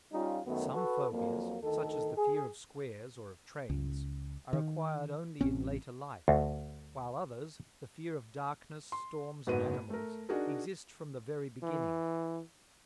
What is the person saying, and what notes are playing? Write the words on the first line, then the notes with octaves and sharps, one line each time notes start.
Some phobias, such as the fear of squares or of trains, are acquired only in later life, while others, the fear of darkness, storms and animals, exist from the very beginning.
G3 C#4 D#4 F4
F#2 D#3 F#3 A3 B3
F#4 A4 B4
F2 F#3 A#3
D2 D#3 A4
G#4
C#2
D#3
A1 C4 C#4
D2
C6
F#1 G#2 B3 F#4 B4 D#7
A3 A#4
D4 D#4 F#4 G#4 A#4
E3